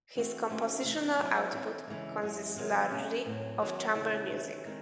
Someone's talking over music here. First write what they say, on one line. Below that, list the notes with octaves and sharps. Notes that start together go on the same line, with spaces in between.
His compositional output consists largely of chamber music.
E3 A3 C4 F#4
D#3 A3 C#4 F#4 C5
C3 E3 A3
F#3 C4 E4
E3 C4 F#4 A4
C#3 E3 G#3
F#2 E3 G#3 C#4
C3 D#3 F#3 C4
C3 F#3 A3 C#4
A2 F#3 C4
D#2 D#3 F#3 C4 F#4
D#2 C#3 E3 C4 E4
D#2 C#3 E3
D#3 G#3 C4